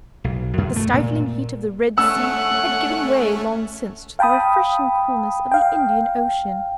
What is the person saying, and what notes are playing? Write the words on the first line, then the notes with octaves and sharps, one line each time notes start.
The stifling heat of the Red Sea had given way long since to the refreshing coolness of the Indian Ocean.
B1
F#2
A3
A#2
A3 C#4 F#5 E6
F5 G5 A5 B5 D#6
F5 G5